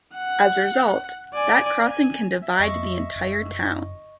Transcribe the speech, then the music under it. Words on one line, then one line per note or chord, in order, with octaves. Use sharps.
As a result, that crossing can divide the entire town.
F#5
D5 G#5
G#5
E5
F2 D#5 C#6
F#1